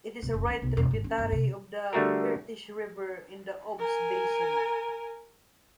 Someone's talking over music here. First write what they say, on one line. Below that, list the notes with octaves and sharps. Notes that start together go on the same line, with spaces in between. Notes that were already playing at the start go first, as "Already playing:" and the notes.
It is a right tributary of the Irtysh River in the Ob's basin.
E1
F#1
C#4
B1
E1
G#1
C#4
G1
C3
D3 G3 A3 F#4 G#4 A#4
A#4 G#5